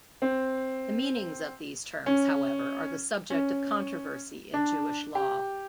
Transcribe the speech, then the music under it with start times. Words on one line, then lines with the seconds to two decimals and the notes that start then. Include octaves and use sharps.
The meanings of these terms, however, are the subject of controversy in Jewish law.
0.22 C4
2.06 C#4
3.30 C#4
4.54 D4
5.15 G4